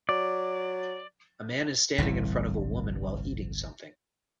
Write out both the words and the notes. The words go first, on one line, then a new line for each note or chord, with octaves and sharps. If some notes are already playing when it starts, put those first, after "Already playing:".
A man is standing in front of a woman while eating something.
F#3 D5
G1 C2 A2 E3